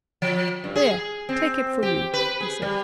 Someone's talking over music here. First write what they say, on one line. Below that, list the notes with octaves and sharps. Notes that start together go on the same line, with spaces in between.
"There, take it for you," he said.
F3
G2
G#4
C4
G4
B4
G#4
G3